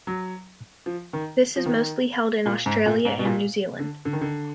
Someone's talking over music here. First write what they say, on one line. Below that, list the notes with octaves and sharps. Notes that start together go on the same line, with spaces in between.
This is mostly held in Australia and New Zealand.
F#3
F3
D#3
F3
D#3
A#2
G#2
A#2
G#2
B2
A#2
D3
D3
D#3
D3